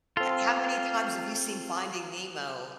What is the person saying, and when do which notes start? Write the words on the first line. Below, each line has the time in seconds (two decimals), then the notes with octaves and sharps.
He how many times have you seen Finding Nemo?
0.17 C4 F4 A4